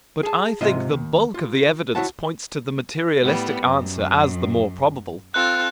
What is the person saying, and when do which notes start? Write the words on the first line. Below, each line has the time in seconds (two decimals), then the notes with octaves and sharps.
But I think the bulk of the evidence points to the materialistic answer as the more probable.
0.23 G#4 A5
0.61 G#2 C3 F4 D#5 E5 C6
0.90 D#2
1.34 F4
1.95 E4 F#4 C#5 F#5 A5
3.23 A2 G3 B3
3.62 F#2
5.34 C4 F4 A4 F#6